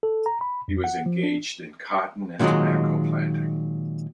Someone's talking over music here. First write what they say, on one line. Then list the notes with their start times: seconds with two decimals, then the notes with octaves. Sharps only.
He was engaged in cotton and tobacco planting.
0.03 A4
0.26 A#5
0.41 B5
0.68 F2
0.84 F#5
1.06 F3
1.23 D4
2.39 A#2 D3 D#3 F#3 G#3